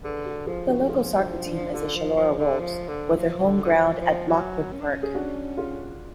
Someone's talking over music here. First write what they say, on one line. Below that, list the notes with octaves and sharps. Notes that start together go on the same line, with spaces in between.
The local soccer team is the Chullora Wolves, with their homeground at Lockwood Park.
D3 G#4 B4
F#4 A4
F3 F4 G#4
D4 F#4
A4
F4 G#4
D4 F#4
D4
D3 F4
F3
F3
D3
F3
D3
F3
D3
D3
F3
F3
F#3
C#4
D4
C#4
G#4
D4 F#4
F4 G#4